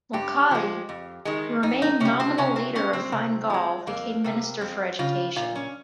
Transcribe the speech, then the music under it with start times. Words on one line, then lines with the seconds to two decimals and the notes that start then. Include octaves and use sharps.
Mulcahy, who remained nominal leader of Fine Gael, became Minister for Education.
0.13 G2 G4
0.51 F3 G#3
0.89 F2
1.25 D#3 G#3
1.63 F2 D#4
1.82 D#4
2.00 C3 G3 C#4
2.20 C4
2.38 C3 C#4
2.56 C4
2.75 G3 C#4
2.93 C4
3.12 C3
3.50 F3 G#3
3.87 F2 A#3
4.24 C3 G3
4.61 F2 C4
4.99 C#3 G3 F4
5.36 A#2 F4
5.55 C#4